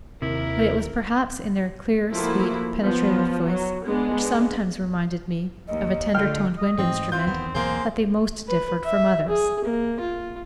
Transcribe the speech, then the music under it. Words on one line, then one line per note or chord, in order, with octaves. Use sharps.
But it was perhaps in their clear, sweet, penetrative voice, which sometimes reminded me of a tender-toned wind instrument, that they most differed from others.
D#2 C3 E4 A#4
F3 A3 A#3 E4 F#4
F3 B3
F#3
G#3 B3 D4
D#2 A#3 D#5
D3 A3 F4 G5 F6
D#5
G#2 E3 A3 C4
C4 F4 G6
E2 D#3 B3
B1 E2 G#2 A#3 G#4 C5
B4
E5
G#4
A#3
F4